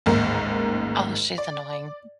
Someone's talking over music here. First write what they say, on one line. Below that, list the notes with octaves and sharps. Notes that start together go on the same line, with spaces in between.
Oh, she's annoying.
A1 D#2 G#2 A#4
D5